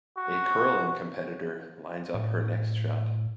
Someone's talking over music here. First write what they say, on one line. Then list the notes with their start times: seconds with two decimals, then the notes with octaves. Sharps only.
A curling competitor lines up her next shot.
0.17 F#4
2.14 A2